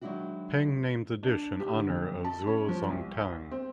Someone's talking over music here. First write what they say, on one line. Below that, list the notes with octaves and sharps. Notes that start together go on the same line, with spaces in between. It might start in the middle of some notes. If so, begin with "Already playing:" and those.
Peng named the dish in honour of Zuo Zongtang.
D#3 F#3 G#3 D4 E4 F#4
D4
G4
D3
F2
A5
C#4
F3
C2
C4